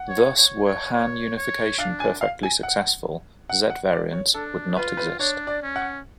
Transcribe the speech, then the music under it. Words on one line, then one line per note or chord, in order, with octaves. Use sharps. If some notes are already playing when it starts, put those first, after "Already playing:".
Thus, were Han unification perfectly successful, Z-variants would not exist.
Already playing: F#5
C#5
C#5
C#5
C#5
C#5
D4 F5
G#5
F5
G#5
F#5
F#5
F#5
D5
C#5
D4 A4
F4 B4
B4
D4 C#5
D5
C#4
F#5